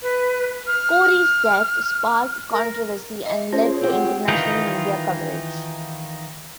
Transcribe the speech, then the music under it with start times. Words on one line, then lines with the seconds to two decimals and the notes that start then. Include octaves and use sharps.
Corrie's death sparked controversy and led to international media coverage.
0.03 B4
0.67 F6
2.51 A#4
3.26 D#5 E5
3.53 C#4 F4 G#4 C5 C#5
3.81 C4 F#4 G4
4.28 D#3 E3 D#4 F4